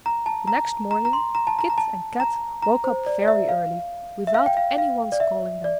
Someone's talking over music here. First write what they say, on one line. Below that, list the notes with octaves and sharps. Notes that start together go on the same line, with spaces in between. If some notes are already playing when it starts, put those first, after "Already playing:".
The next morning Kit and Kat woke up very early, without any one's calling them.
A#5
A5
A#5
A#5
A#5
C6
A#5
A5
A#5
A#5
A5
A#5
A#5
C5
D5
D5
E5
F5
E5
F5
G5
F5
F5
D5
E5
D5